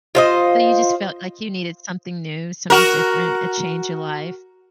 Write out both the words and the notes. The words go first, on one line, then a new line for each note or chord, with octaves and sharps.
So you just felt like you needed something new, something different, a change in life?
F4 C5 D#5
F#4 A#4